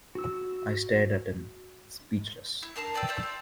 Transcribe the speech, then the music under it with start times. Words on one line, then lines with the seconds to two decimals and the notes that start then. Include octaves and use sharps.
I stared at him, speechless.
0.15 F#4 E6
2.63 E4
2.76 D4 A#4 A5 C6
2.94 B4 D5 G5 E6
3.08 C5 D5 E5
3.23 F4